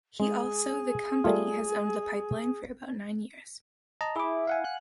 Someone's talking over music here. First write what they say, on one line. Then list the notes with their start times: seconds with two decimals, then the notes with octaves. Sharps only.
He also the company has owned the pipeline for about nine years.
0.20 G#3 G#4
1.24 G3 A3 F4
4.01 D#5 A5 A#5
4.16 E4 G#4 D6
4.47 F5 F#5 G#5
4.64 F#6